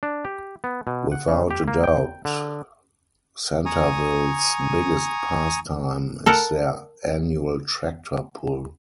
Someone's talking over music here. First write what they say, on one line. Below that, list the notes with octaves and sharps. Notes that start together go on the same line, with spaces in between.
Without a doubt Centreville's biggest past time is their annual tractor pull.
D4
G4
B3
B2
F#5
C#3
G4
A#3
G5
D3
G#5 A#5 C#6 D#6
A4 A#4 F#5